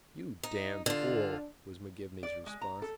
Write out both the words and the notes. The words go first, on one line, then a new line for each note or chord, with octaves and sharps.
"You damned fool!" was McGivney's response.
D#4
D3 D4 F4
D5
G#3
A#5
A4